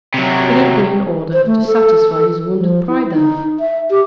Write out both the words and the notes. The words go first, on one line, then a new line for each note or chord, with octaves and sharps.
Could it be in order to satisfy his wounded pride, then?
C3 F#3
C5
A3
A4
F3
E4
D#4
E5
G4